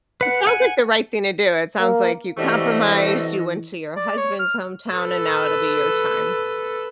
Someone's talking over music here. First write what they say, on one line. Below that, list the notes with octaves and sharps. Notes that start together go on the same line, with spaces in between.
It sounds like the right thing to do, it sounds like you compromised, you went to your husband's hometown, and now it'll be your time,
B4 F#5
F#5 G#5
A#3
G2 C3 E3 G3 A3 F#4 A4 D#5
D5
C#5
F6
A4 B4